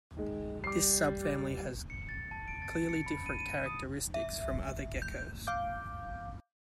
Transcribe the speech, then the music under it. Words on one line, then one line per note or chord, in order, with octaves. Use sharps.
This subfamily has clearly different characteristics from other geckos.
D#3 G#3
G3 D6 C7
C#7
A6
A5
D7
A6
C#7
B5
D#7
D#7
D#6
E5
G6
F5 D6 G6